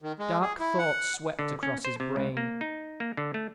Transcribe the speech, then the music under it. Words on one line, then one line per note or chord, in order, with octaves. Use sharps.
Dark thoughts swept across his brain.
D#3
G#3
G#4
E4
F#5
D3
C#4
C5
C3
C#2
A#3
D#4
A#3
D3
A3